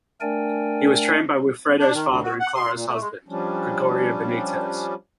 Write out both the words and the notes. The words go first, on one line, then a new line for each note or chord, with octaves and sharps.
He was trained by Wilfredo's father and Clara's husband, Gregorio Benitez.
A3 D4 A#4 D5 G5 G#5
D4
D#3
D2
F#4
F#5
C6
A#2
A3
G#3
F3 G3 C#4 D4